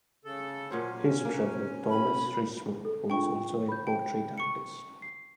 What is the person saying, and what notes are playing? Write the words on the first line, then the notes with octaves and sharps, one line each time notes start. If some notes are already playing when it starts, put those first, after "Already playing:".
His brother Thomas Richmond was also a portrait artist.
C#3 A4
A#2 F#3 C#4 C5
A#3
B5
A4
D4 F4 G5 C#6
B5 G6
G5
C#6 C#7
C7